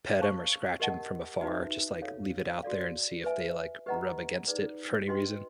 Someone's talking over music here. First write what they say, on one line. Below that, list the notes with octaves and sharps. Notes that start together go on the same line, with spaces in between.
pet 'em, or scratch them from afar, just, like, leave it out there and see if they, like, rub against it for any reason.
C5 F5 A5 C#6
G4 A#4 D#5 F#5 A5
D#4 F#4 B4 E5 A5
A4 C#5 F5
F#4 A4 D5 F5
B4 E5 G#5
G4 B4 D#5 F#5 A#5
D#4 G#4 B4 D5
F#4 B4 D#5 G5 C6